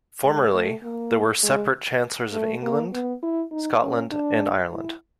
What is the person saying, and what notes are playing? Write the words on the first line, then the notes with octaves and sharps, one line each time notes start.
Formerly, there were separate Chancellors of England, Scotland and Ireland.
G#3
A3
A#3
G#3
A3
A#3
B3
E4
D#4
C#4
D4
E4